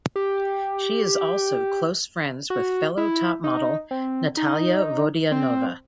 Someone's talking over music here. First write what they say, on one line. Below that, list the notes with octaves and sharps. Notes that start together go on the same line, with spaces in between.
She is also close friends with fellow top model Natalia Vodianova.
G4
F#4
E4
D#4
C4
D#4
C4